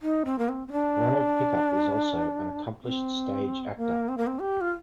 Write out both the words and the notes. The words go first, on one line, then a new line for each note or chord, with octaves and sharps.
Ronald Pickup is also an accomplished stage actor.
D#4
C4
A#3
C4
C4
D4
C4
A#3
C4
A#3
C4
G4
F4